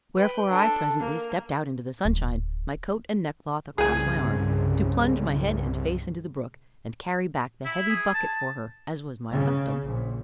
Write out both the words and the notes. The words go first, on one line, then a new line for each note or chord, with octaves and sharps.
Wherefore I presently stepped out into the sunshine, my coat and neckcloth across my arm, to plunge my head and face into the brook, and carry back the heavy bucket for her, as was my custom.
B4 G5
D4 A4
A#3
D1
C2 G2 C#3 G#4 G#5
E4
G#4
A5
C#3
A#1